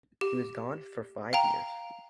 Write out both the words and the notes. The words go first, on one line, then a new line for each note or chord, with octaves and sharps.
He was gone for five years.
G4
F5 G5 A#5